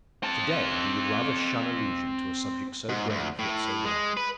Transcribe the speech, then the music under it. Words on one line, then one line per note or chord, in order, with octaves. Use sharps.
To-day he would rather shun allusion to a subject so grave, yet so delicate.
C4 A5
G#2
D2
A2
G#3
B4